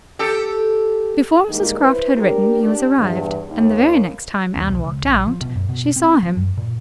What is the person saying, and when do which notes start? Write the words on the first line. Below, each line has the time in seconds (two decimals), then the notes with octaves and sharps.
Before Mrs Croft had written, he was arrived, and the very next time Anne walked out, she saw him.
0.19 G4 A4
1.47 G2 D#3 G3 G#3 A#3 D#4
1.81 E4 B4 C5
2.18 D4 G4 A#4
2.62 D4 G4
2.97 E2 G2
3.49 D#2
4.57 D#2
4.68 B1
4.84 C#2
5.07 A#1
5.27 F3
5.41 B2
5.55 F#2
5.69 B2
5.96 C4
6.23 F3
6.37 F#2
6.57 A#2